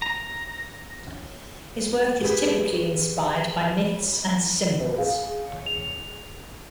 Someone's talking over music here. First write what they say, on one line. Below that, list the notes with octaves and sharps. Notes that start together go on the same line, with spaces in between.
His work is typically inspired by myths and symbols.
A#5
G4 G#4 B4
G#4 F5
F7